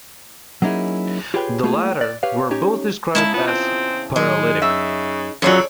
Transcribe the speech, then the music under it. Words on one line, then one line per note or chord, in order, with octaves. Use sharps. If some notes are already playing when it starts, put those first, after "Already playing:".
The latter were both described as "paralytic".
F#3 A#3 C#4 D#4 E4 G#4
F4 G4 G#4 B4 C#5 G5
A3 A#3 F4 G#4
D5
G4 B4 C#5 F5
C#4 D#4 G4 C#5
E2 C#3 G#3 E4 E5 A5 A#5
B3 F4
C4
D#3 F#3 G#3 D#4 G#4
F#2 C#3 E5
F#2 C#3 F#3 F4 A4 C#5 D5 F5